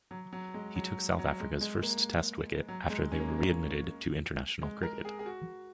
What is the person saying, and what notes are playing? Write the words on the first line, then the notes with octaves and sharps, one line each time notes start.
He took South Africa's first Test wicket after they were re-admitted to international cricket.
F#3
F#3
G#3
F#3
F#3
G#3
G#3
A#3
F#3
G#3
C#4
A#3
G#3
A#3
G#3
A#4
G#4
G#4
F#4